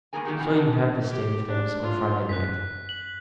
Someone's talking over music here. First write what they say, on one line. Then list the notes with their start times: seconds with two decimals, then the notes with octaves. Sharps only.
So you have the state of things on Friday night.
0.13 G2 A#3 B3 G#4 A#4 G#5
0.25 A#2 D#3 C#4 D#4 F#4 G4
0.39 B2 E3 C4 F#4 A#4
0.55 C3 D5 A5
0.73 G#3
1.11 G4
1.48 D4
1.83 F4
2.29 F#2 F#6 B6
2.89 F#7